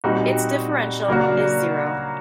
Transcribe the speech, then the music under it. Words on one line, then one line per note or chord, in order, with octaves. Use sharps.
Its differential is zero.
A#2 G3 C4 D#4 F#4
C#3 F#3 A#3 D4 F#4